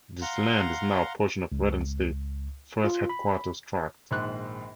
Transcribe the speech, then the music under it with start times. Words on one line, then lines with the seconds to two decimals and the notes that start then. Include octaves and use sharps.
This land is now a portion of Redden State Forest's Headquarters Tract.
0.22 F5 F#5 A#5 C6
1.52 C#2
2.84 F4
3.09 B5
4.11 A#1 G#2 D#3 C6 F#6